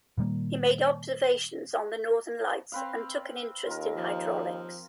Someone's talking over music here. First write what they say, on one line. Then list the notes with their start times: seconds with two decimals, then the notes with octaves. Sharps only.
He made observations on the northern lights and took an interest in hydraulics.
0.18 A#2 D#3 G3 A#3
2.72 C4 B4 F5
3.66 D#2 F4 A#4
3.97 F3